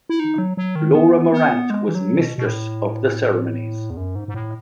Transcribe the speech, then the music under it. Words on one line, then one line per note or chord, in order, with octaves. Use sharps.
Laura Morante was mistress of the ceremonies.
E4
D#4
F#3
F#3
D#3
B3
B3
G#3
E3
F#3
B2
B2
A2
E2
F#2
G#2
G#2
A2